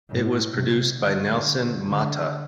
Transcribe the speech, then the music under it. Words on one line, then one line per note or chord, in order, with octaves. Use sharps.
It was produced by Nelson Motta.
A2
C3
D3
D3